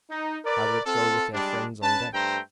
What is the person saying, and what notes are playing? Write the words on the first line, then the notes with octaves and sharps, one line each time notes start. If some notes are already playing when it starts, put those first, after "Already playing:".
How would it go with their friends on deck?
D#4
A#4 B4 D5
C4 F4 A4
G3 G#3 D4
C#4 B4 A5
G2 A3 C5 G5 A#5